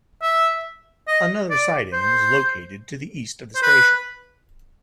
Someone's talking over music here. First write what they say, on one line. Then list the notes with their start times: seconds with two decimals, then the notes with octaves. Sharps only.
Another siding was located to the east of the station.
0.22 E5
1.08 D#5
1.50 D5
1.92 C5
3.55 C5
3.63 B4